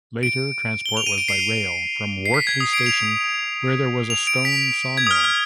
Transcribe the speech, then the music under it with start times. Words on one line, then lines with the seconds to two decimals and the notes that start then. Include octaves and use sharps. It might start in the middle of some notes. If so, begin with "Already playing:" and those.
Later transport was by rail from Wortley Station, where there was a stone sawmill.
0.23 D7
0.86 G7
0.97 F7
1.07 D#7
1.18 D7
1.28 C7
2.26 C7
2.34 B6
2.47 G#6
2.60 D#6
2.73 D7
2.86 F7
4.10 F7
4.27 D7
4.45 B6
4.97 G#6
5.07 D#6
5.11 F6
5.24 F6